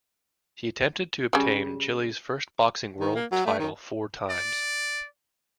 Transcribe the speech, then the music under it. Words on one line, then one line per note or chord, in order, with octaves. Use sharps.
He attempted to obtain Chile's first boxing world title four times.
C#3 G3
D#3
A#3
F#3
A3
D#3
D5